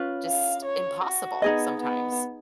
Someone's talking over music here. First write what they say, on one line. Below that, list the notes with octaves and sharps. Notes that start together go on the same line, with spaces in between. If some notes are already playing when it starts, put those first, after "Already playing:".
just impossible sometimes.
Already playing: C#4 F4 B4
F5
C#5
F#4
B3 D#4 G#4 D#5
B3